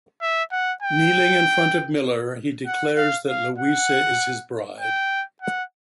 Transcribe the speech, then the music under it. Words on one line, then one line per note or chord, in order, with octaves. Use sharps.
Kneeling in front of Miller he declares that Luisa is his bride.
E5
F#5
G5
F#5
F5
F5
F#5
G5
F#5